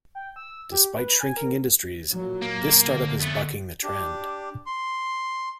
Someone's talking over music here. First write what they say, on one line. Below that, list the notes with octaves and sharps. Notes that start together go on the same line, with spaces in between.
Despite shrinking industries, this startup is bucking the trend.
G5
E6
G4
B4
G#5
A#4
A#2 F#3
A#3
D3
A3 B3
D4 G4
C6